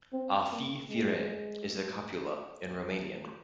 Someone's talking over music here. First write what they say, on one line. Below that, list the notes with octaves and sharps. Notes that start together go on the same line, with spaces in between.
"A fi, fire" is the copula in Romanian.
C4
A#3
G#3